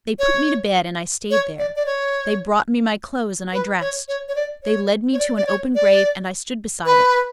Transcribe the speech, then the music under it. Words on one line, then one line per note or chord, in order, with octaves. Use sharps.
They put me to bed and I stayed there; they brought me my clothes and I dressed; they led me to an open grave and I stood beside it.
C#5
C#5
D5
D5
C#5
B4
C#5
C#5
C#5
D5
C#5
C#5
D5
D5
C#5
D5
B4